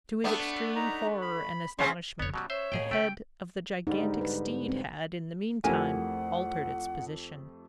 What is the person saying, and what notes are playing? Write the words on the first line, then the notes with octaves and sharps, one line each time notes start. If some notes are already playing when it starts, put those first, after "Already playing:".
To his extreme horror and astonishment, the head of the gigantic steed had, in the meantime, altered its position.
A3 B3 D4
D#4 A#5
B5
C#3 C4 C#4 C6
F1 F2 B3 C#5
B2 F#3 G3 C#4
C5 C#5 E5
D#2 A2 G#4 G5
C#3 A3 B4 G5
G#2 D3 G3 D#4
B4
C4
F2 A3 E4 G4 A#4 F#5 G#5